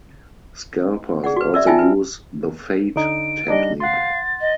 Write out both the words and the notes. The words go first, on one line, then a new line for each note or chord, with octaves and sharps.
Scalpers also use the "fade" technique.
G#4 D5 F#5
F#4 B4
A#4 D5 E5
C#4 D#4 F4 E5 G5 G#5
B4
D3 D#4 D7
G3 D4 D#4 D#5
F5 F#5 C6 A6
D#5